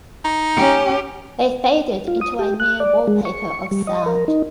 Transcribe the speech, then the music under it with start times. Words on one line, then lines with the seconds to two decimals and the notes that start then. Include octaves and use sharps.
They faded into a mere wallpaper of sound.
0.25 D#4
0.57 C#4 G4
2.08 F4
2.21 D#6
2.39 G4
2.60 F#6
2.80 D5
3.07 G#3
3.25 C#6
3.71 G3
3.87 D#5
4.06 A#4
4.28 D#4